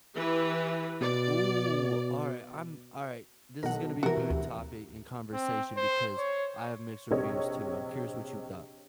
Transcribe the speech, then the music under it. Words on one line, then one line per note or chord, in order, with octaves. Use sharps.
Ooh, all right. I'm All right. This is gonna be a good topic in conversation because I have mixed reviews too. I'm curious what you thought.
E3 G4 B4
B2 D5
B1 A#4 F#5
C3 E3 F#4 A#4
B2
D2
C4
C5
C#5
A#1 C3 C#5 D#5